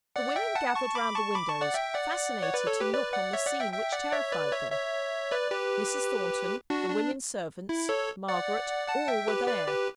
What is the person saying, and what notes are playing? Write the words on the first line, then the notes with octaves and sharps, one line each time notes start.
The women gathered round the windows, fascinated to look on the scene which terrified them. Mrs. Thornton, the women-servants, Margaret,--all were there.
D5 F#5
E5 G5
F#5 A5
A5 C#6
B5 D6
A5 C#6
B5 D6
A5 C#6
D5 F#5
E5 G5
D5 F#5
C#5
B4 D5
A4 C#5
G4 B4
B4 D5
D5 F#5
C#5 E5
D5 F#5
E5 G5
E5 G5
D5 F#5
C#5 E5
B4 D5
C#5 E5
C#5 E5
B4 D5
G4 B4
D4 F#4
D4
E4
A4 C#5
D5 F#5
F#5 A5
E5 G5
G4 B4
B4 D5
G4 B4